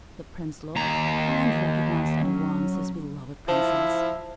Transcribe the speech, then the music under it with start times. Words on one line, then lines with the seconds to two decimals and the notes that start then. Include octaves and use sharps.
The prince looked, and recognised at once his beloved princess.
0.76 D#2 A#5
2.19 F#3 C#4
3.48 F3 E4 C5 A5 E7